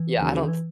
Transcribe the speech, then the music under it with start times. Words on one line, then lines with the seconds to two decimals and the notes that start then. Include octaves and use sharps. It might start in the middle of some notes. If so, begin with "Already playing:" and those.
Yeah, I don't th
Already playing: E3
0.16 D#2 C#3 F#3
0.44 D#3
0.48 E3